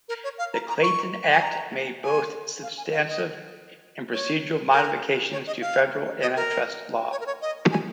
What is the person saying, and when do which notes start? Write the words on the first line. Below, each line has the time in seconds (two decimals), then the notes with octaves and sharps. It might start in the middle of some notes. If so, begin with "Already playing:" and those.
The Clayton Act made both substantive and procedural modifications to federal antitrust law.
0.09 A#4
0.24 C#5
0.38 F5
0.54 A#5
0.69 A#5
0.83 C#6
1.32 G#5
1.43 A#5
2.03 G#5
2.63 F5
2.77 G#5
2.92 F5
3.08 D#5
4.13 C#5
4.72 A#4
5.32 C#5
5.47 D#5
5.62 F5
6.22 D#5
6.36 A#4
7.12 C#5
7.21 A#4
7.26 C#5
7.42 D#5
7.71 G#5